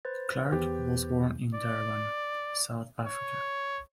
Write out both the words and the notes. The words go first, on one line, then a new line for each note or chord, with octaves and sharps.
Clark was born in Durban, South Africa.
B4 C5 A6
E2 G4
D5
C#5